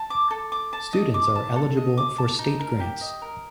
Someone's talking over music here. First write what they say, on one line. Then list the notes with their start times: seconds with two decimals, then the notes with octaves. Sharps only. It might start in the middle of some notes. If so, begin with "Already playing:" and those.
Students are eligible for state grants.
Already playing: A5
0.10 D6
0.31 A4
0.52 D6
0.73 A5
0.93 D#5
1.14 D6
1.35 A5
1.56 A4
1.77 D#5
1.97 D6
2.18 A5
2.39 D#4
2.59 A#4
2.80 G4
3.01 D#5
3.22 A#4